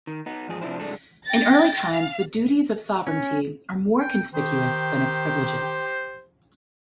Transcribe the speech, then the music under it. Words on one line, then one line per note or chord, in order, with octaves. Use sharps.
In early times the duties of sovereignty are more conspicuous than its privileges.
D#3
B3 D#4
E2 G#2 F3 G#4
C3 F3 D4 E4 C5
C2 F#2 G#3 D4 A4
G5 A6 A#6
F5
C#4
G5
D#3 G4 C5